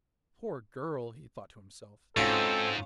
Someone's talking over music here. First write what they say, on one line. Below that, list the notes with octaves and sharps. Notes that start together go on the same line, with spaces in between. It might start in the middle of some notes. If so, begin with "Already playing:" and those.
'Poor girl,' he thought to himself.
G#2 C4 C#4 F4 F#4 A4